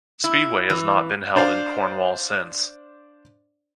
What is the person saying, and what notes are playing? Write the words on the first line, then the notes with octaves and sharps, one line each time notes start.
Speedway has not been held in Cornwall since.
E4
E3
D4 C5 D5 F5